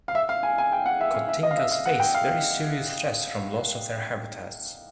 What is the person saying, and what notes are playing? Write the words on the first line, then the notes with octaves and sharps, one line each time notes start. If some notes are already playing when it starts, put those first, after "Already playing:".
Cotingas face very serious threats from loss of their habitats.
F5
E5
F5
G#5
G#5
G5
F#5
E5
F5
E5
D#5
F5
E5
F5
F#5
G5
F5